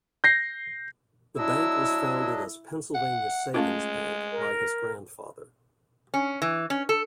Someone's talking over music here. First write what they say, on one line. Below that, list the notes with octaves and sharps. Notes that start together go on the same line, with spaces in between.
The bank was founded as Pennsylvania Savings Bank, by his grandfather.
G6 A#6 C7
F#3 D4 E4 D#5 E6
F#5
G#3 A3 C#4 F4
A#4
C#4
E3
C#4
A4